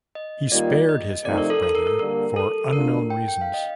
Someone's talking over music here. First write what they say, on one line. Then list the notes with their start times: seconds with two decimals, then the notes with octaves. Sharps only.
He spared his half-brother for unknown reasons.
0.15 D#5
0.52 D#3 G3 A#3 F4 D5
0.89 D#5
1.25 C3 F3 A3 D#4 D5
1.38 A#4
1.50 A4
1.63 A4
1.75 A#4
1.87 A#4
1.99 D3 G3 A#3 A#4
2.36 A4
2.73 D3 A3 D4 F4 A#4
3.10 G5
3.28 G5
3.41 F5
3.54 D#5